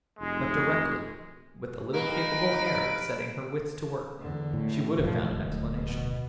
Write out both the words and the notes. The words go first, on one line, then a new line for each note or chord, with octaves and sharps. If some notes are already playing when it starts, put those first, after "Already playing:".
But directly, with a little capable air of setting her wits to work, she would have found an explanation.
F1 G#3
G2 A#3 D#4 B4 D7
E2 D3
A2
E1 D#2 A2 F3
D1
B2